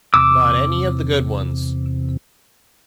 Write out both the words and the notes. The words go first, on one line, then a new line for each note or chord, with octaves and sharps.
Not any of the good ones.
E2 C3 D6 E6